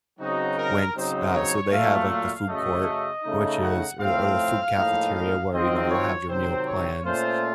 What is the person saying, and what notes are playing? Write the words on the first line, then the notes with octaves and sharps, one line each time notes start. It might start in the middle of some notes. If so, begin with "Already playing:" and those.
went, uh, so they have like the food court, which is or the or the food cafeteria where, you know, you'll have your meal plans
C#3 F#3 C4 D#4 F#4
A#4
C#3 F#3 C4 D#4 C5
C#5
A#2 F#3 A3 F5
F5
F#2 C#3 F#3 A3 D#5
C#3 A3 D#4
F#5
A2 F3 A3 C4 F5
A2 F3 A#3 D#4
F5
D#3 F#3 C4 F4 D#5
C#5
C3 D#3 F#3 C4 C5
C#5
A#2 A3 C#4 F4 C5